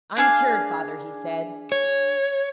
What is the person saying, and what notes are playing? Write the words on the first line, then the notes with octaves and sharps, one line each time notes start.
"I'm cured, father," he said.
D4 G#4 F5
C#5